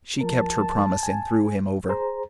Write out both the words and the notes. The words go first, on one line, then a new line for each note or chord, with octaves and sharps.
She kept her promise and threw him over.
F3 A#4 A5
G#5
G#4 C5 A#5